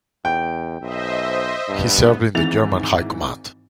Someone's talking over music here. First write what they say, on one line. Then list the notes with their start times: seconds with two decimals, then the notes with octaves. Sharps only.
He served in the German High Command.
0.25 E2 G5
0.81 B1 C5 D#5 E5
1.69 G2 B3
2.35 G#1 G#2 E3 A6 F7